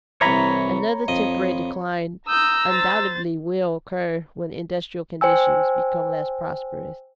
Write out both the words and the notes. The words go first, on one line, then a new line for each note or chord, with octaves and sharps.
Another temporary decline undoubtedly will occur when industrial conditions become less prosperous.
C2 E3 C#5 A#5 B5
F2 D#5
A#5 D#6 E6 G6
C5 A6
C5 G5 G#5 E6